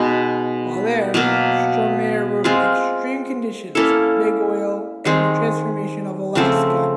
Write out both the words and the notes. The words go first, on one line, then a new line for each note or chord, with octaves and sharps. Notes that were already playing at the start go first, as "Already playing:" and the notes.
While there, Strohmeyer wrote "Extreme Conditions: Big Oil and the Transformation of Alaska".
Already playing: B2 G#3 B3 D#4
B2 F#3 A#3
G#3 C4 F4
A#3 C#4 E4 A4
D#3 G#3 C4
C#3 F3 A3 C4